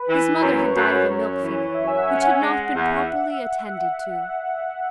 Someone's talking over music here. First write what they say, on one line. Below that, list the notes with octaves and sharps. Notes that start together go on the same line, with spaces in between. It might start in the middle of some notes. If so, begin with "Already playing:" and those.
His mother had died of a milk fever, which had not been properly attended to.
Already playing: B4
E3
F#2 C#5
F#2
F#2
E3
F#2 E5
G#5
F#5
C#4
E5
G#3 F#5
E2 E5